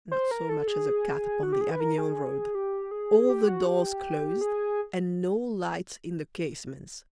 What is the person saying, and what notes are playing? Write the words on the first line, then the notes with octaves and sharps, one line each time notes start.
Not so much as a cat upon the Avignon road--all the doors closed, and no lights in the casements.
C5
A#4
A4
G#4
F#4
G4
G#4
B4
A#4
G#4
G4
G#4
G4
F#4
G4
G#4